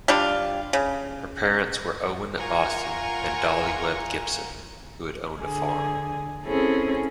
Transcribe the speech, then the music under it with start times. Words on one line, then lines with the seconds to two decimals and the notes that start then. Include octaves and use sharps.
Her parents were Owen Boston and Dollie Webb Gibson who had owned a farm.
0.08 G3 D4 F4
0.73 C#3
2.37 F4 A#4 F#5 G#5 C#6
5.38 D3 G#4
6.44 C4 C#4 E4 G#4 A4